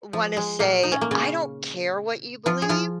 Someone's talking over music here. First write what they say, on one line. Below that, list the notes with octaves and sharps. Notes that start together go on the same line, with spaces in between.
wanna say, "I don't care what you believe."
F3
G#3
A#2 A#3
D#4
C#4
A#3
C#3 C#4
F3 F4
G#4
F3 F4